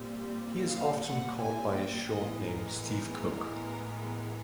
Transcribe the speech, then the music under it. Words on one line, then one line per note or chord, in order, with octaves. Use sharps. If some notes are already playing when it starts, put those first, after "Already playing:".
He is often called by his short name Steve Cook.
Already playing: A#2 G3 C4
F5
F#5
G#5
G5
A2 E3 G#3 B3 D#5
A#4
A#4